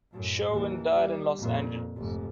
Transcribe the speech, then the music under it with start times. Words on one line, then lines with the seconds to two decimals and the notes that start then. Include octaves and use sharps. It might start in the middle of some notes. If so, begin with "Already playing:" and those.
Sherwin died in Los Angeles.
0.11 F#2 A2
0.49 D#2 E3
0.93 G3
1.38 F2 A#2
1.97 F1 G#2